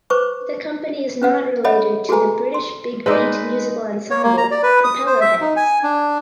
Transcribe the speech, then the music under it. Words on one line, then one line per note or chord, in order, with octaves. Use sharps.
The company is not related to the British big beat musical ensemble Propellerheads.
B4 C5 C#6 D6
C#4 B4 F#5
A4 C#5 D#5 E5 F#5 B5
F#4 G#4 A4 B4 G#5 A#5
C6
G#3 D#4 B4 C5 D5 E6
C#5
A#3
A#5
D5
B4
D#6
C5
E5
D#4
G#5
D4